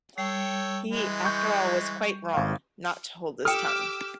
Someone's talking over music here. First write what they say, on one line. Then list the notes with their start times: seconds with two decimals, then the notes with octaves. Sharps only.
He after all was quite wrong — not to hold his tongue.
0.18 G3 A4 C#5 G5
0.92 E3 G#3
1.25 C#6 G6
2.34 G#1 F5
3.45 G4 A4 G5 D6 E6 F6